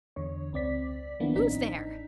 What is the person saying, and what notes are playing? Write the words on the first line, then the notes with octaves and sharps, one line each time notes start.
Who's there!
E2 D3 C#5
C#2 C4 D5 B6
D#3 F3 A#3 B3 D4 E4
A1 C4 D4 D#4 B6